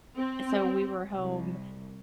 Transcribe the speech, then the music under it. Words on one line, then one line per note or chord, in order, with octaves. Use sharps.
so we were home
C4
C2